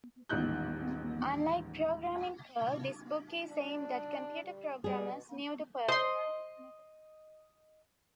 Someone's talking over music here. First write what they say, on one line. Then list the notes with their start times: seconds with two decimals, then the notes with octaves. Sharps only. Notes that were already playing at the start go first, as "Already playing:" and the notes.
Unlike "Programming Perl", this book is aimed at computer programmers new to Perl.
0.29 D#1 A1 G#2 D#4 F#6 G6
3.49 D4
4.43 G3
4.84 B2 G3 G#4
5.89 C5 D#5 C6